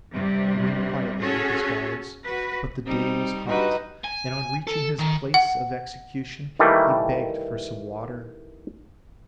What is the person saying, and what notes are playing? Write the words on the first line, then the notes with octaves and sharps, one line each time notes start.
He went quietly with his guards, but the day was hot, and on reaching his place of execution he begged for some water.
G2 C3 G3
C#4 F#4 G#4 A4 C#5
F#4 B4
G3 C4 D#4
G2 G3 D#4 F#4 B4
G#5
A4
D#3
F#5
D#3 E3 G3 A3 A#3